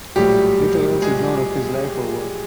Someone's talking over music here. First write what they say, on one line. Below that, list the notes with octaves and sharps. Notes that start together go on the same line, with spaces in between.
Little else is known of his life or work.
A#1 A2 F#3 G3 G4
G#3 G#4